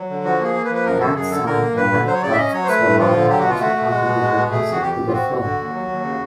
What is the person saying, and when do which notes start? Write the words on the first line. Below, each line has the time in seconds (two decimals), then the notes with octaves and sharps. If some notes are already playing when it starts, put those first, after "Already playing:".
Nat sang in nightclubs so Lyon also contributed music to the film.
Already playing: F#3
0.09 D3
0.24 F3 F#4
0.39 A#3 G#4
0.55 A#3
0.65 B4
0.70 F3
0.75 B4
0.85 F#2 A#4
1.00 F#2 A4
1.15 F#2 G#4
1.31 D3 A4
1.46 D3 A#4
1.61 A#3
1.77 G2 B4
1.92 D3
2.07 F#3 C5
2.14 C#5
2.22 C#3 D5
2.33 E5
2.37 C#4 D#5
2.53 F#3 C#5
2.64 C5
2.68 A3 B4
2.84 G2
2.99 F3 F4
3.14 D3
3.29 F#3 G4
3.40 B2 F#4
3.50 F4
3.60 A3 F#4
3.74 A3
3.90 G#3
4.05 B2
4.21 G#3
4.36 B2
4.51 A3 G#4
4.67 F2
4.72 F#4
4.82 F2 G4
4.97 F2
5.07 F4
5.12 C4 F#4
5.28 D3
5.43 D3
5.58 D#2
5.73 F#3
5.88 D#2
6.03 C#3